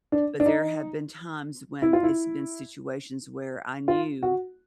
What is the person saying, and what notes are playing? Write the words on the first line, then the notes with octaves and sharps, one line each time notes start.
but there have been times when it's been situations where I knew
D4
D4
D#4
E4
F4
E4
F4
F#4